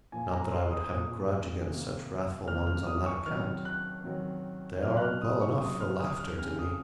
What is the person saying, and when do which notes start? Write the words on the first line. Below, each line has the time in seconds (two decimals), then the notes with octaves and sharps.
Not that I would have a grudge against such wrathful ones on that account: they are well enough for laughter to me!
0.12 A#2 F3 A#3 G#5
0.32 A#5
0.52 C6
0.71 D#6
0.91 A#2 F3 A#3 D#6
1.69 C3 D#3 A#3
2.47 C3 D#3 A#3 F6
2.67 F6
2.87 D#6
3.06 C#6
3.26 D#3 F#3 C4 F6
3.65 F#6
4.04 D#3 F#3 C4
4.82 C3 F#3 A#3 F6
4.97 F#6
5.02 F6
5.22 D#6
5.41 C#6
5.61 C3 F#3 A#3 D#6
5.81 F6
6.00 D#6
6.19 F6
6.39 C#3 G#3 C4 F6
6.59 D#6